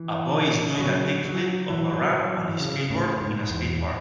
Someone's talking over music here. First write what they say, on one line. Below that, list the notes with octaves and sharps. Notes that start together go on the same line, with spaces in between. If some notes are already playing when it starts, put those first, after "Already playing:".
A boy is doing a kick flip off a ramp on his skateboard in a skate park.
Already playing: E3
F#3
F#3
E3
F#3
F#3
E3
C#3
A2
G#2
E2